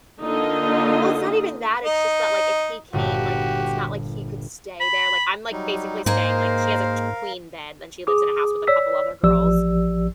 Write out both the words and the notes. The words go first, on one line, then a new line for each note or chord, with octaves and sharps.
Well, it's not even that, it's just that like, if he came, like, it's not like he could stay there, like, I'm, like, basically staying, like, she has a t queen bed and she lives in a house with a couple other girls,
D3 A#3 D#4 F4 A4 D#5
D#4
G1 A#2 B3 F#4 G4
B5
F#3 G3 D#4
G#2 A#3 G#4 A#4 C5 D#5 F5
G#4 D6 D#6
C#5 D5 E6 B6
A1 F3 G4 D5 E6